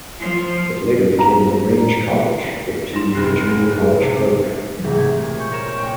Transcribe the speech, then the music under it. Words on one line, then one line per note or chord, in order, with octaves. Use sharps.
It later became LaGrange College, with a two-year junior college program.
F3
A#5
E4 C6 A#6 E7
F1 F#6 C7
D2
G#2
C3
G#2 C3 E3 A3
A3 G#6
A#2
C#6 G6
A#4 C#5 E7
A#2 G5 C#6